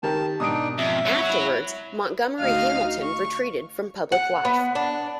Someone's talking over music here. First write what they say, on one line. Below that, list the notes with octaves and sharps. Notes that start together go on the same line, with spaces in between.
Afterwards, Montgomery Hamilton retreated from public life.
D#3 G4 A#4 A5
G#2 B2 D4 D#4 D#6 D7
F2 E5
C#5 F#5
E4
D2 D#4 F#4 F5 F6
C#6
F#5
B3
D4